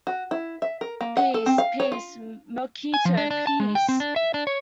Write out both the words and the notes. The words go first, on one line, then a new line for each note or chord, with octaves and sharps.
Peace, peace, Mercutio, peace!
F#4
E4
E5
A#4
A#3
F#5
A4
C4
F5
C#5
F4
G#5
F3
D4
D4
A5
G#3
G5
C4
D4
E5
D4
C#5